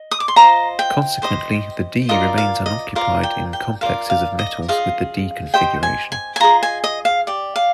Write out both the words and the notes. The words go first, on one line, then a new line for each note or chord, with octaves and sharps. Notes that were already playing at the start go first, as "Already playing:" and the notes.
Consequently, the d remains unoccupied in complexes of metals with the d configuration.
Already playing: D#5
D#6
D6
C6
F4 C5 D#5 A#5
G5
G4 C5 D#5
F4 A#4 D5 D#5
F5
D#5
F4 A#4 D5 F5
G5
G5
F4 A#4 D5 F5
F5
D#5
F4 G#4 D#5 F5
G4 C5 D#5 G5
G#5
G#5
G#5
F4 G#4 D#5 A#5
G#5
D#5
F5
G4 D5
F5